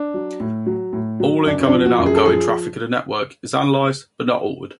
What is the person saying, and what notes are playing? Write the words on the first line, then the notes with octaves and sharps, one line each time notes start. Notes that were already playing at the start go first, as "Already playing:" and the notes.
All incoming and outgoing traffic of the network is analyzed, but not altered.
Already playing: D4
F#3
A2
F#3
A2
F#3
F#2 D4
C#4
D4
F3
F#4
F#2
G#4
A4
F3 G#4